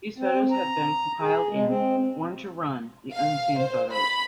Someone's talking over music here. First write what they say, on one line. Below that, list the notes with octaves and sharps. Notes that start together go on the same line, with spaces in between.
These photos have been compiled in "Born to Run: The Unseen Photos".
C4
A#5
G#4
G#3
C4
F5
C5
B5